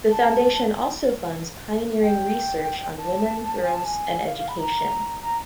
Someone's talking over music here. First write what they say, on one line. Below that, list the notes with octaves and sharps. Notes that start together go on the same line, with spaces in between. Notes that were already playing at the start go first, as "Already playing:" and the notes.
The Foundation also funds pioneering research on women, girls, and education.
A5
G5
A5
G#5
A5
G#5
F5
F5
B5
A#5
A#5